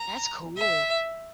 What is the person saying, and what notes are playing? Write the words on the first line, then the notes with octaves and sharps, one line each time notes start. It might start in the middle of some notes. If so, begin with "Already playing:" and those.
That's cool.
Already playing: A#5
E5